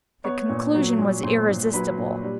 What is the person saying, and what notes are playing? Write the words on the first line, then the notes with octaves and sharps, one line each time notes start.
The conclusion was irresistible.
B3 C#5 C#6
A#2
F#3
A#2
A#2 C5 C6
A#2
F#3 B4 B5
A#2
G3